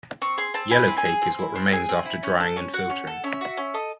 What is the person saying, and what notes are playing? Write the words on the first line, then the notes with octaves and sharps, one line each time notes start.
Yellowcake is what remains after drying and filtering.
C4 C#6
G#4 C6
C4 A5
E4 G#5
C4
G#5
G#4
C4
E4
C4
G#4 G#5
C4
E4
C#4
A4
C#4
F#4 F#5
C#4
A4
C#4 E5
F#4
C#4
A4 D#5